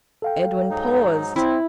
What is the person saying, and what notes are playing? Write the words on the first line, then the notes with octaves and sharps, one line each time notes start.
Edwin paused.
A4 F5 G5
G#2 F#3 D#4
C4 E4 B5